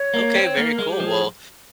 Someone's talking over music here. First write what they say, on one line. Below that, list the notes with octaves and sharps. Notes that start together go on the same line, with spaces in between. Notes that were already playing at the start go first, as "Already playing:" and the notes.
Okay, very cool. Well,
Already playing: C#5
A#3
C4
A#3 A#4
A#4
G#3
G4
F3
G#4